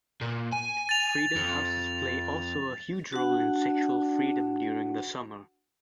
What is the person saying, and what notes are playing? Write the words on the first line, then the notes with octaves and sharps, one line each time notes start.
Freedom houses play also a huge role in sexual freedom during the summer.
A#2
G#5
A6 F7
F2
D4 F#4 F#5